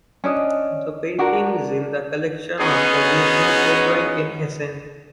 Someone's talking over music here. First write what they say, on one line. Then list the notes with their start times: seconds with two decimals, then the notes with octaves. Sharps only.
The painting is in the collection of the Museum Folkwang in Essen.
0.24 C#4 D4 D#5
1.19 D4 F#4 A#4
2.60 B3 C#4 D#4 F#4 G#4